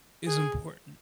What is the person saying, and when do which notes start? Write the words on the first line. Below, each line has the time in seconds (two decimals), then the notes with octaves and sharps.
is important
0.27 G#4